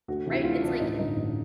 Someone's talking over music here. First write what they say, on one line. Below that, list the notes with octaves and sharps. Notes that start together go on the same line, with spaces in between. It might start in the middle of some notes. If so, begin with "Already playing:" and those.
Right, it's like,
D2 F#4
C3 E3
E4
D2 F4
C3 E3 D4
A1 D#4
G2 D3 D#4
A1